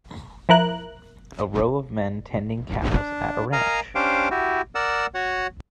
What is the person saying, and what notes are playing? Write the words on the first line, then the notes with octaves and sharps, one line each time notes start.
A row of men tending cows at a ranch.
F3 E4 A#4 F#6
D4
A#4 D#5 F5 G#5 A#5
C#4 D4 G4 C5 F5 G5
E4 F#4 G4
A#4 D5 F#5 E6
F#4 C#5 F#5